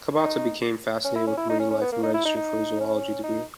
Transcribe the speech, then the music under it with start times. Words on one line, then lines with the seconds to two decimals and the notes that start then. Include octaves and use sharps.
Kabata became fascinated with marine life and registered for a zoology degree.
0.18 D#4
1.05 C#4
1.16 E4
1.27 C#4
1.37 E4
1.50 D#4
1.60 C#4
1.71 C#4
1.82 B3
1.92 A#3
2.03 D#4
2.14 E4
2.26 D#4
2.37 D#4
2.80 C#4
3.23 D#4